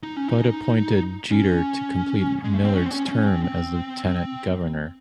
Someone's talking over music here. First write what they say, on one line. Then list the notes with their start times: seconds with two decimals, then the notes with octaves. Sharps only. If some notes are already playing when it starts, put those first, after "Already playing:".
Budd appointed Jeter to complete Millard's term as Lieutenant Governor.
0.03 D#4
0.16 C#4
0.28 D#4
1.31 C#4
2.44 G#3
2.54 A3
2.64 C4
2.73 C#4
2.86 C4
2.91 C#4
3.09 C#4
3.26 C4
3.44 C4